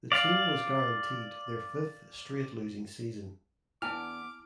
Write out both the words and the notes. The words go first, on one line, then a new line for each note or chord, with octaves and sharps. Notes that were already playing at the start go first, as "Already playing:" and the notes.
The team was guaranteed their fifth straight losing season.
D5 F5
E2 B3 D4 E4 G#5 A5 D6 F6